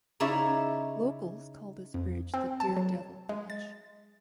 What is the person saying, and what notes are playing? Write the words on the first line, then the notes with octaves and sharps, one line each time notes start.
Locals call this bridge the Daredevil Bridge.
C#3 D#4 E4 C#5 D5 E5
F2
C4
A5
F#3
G#3
A6